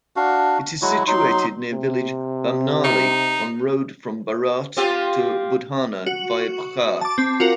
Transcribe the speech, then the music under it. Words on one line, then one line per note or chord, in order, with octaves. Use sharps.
It is situated near village Bamnauli on road from Baraut to Budhana via Puchar.
D4 F#4 F5
F#3 G#3 E4 F#4
F#3 D#4 C6
C3
D#4
C4 F4 G4
F#4
A5 D6
C4
F4 F#4 A#4